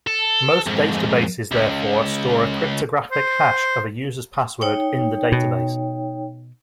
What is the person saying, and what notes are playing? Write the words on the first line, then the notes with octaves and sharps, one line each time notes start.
Most databases therefore store a cryptographic hash of a user's password in the database.
A4
F2 G#2
C#2
C5
D#4 C#5 G5
B2